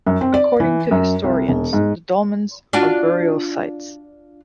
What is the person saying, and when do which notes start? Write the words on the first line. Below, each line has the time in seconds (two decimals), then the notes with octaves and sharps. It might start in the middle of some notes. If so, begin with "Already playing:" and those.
According to historians, the dolmens are burial sites.
0.07 F#2
0.21 C4
0.34 D5
0.60 E3
0.91 F#2
1.24 C2
1.49 E1
1.73 G#2
2.73 D4 F4 F#4